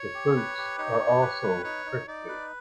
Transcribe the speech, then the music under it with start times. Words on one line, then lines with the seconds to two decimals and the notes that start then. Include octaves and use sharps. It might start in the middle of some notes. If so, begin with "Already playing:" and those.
The fruits are also prickly.
Already playing: C#5
0.14 G4
0.36 B4
0.58 G4
0.78 D#4 C#5
1.00 G4
1.21 B4
1.43 B4
1.64 D#4 C#5
1.86 D#4
2.07 D#4 D5
2.28 B4